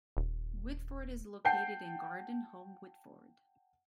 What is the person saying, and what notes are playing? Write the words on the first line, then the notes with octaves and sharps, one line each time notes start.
Whitford is located in Garden Home-Whitford.
D#1
F#5 G5 A5 G6 C7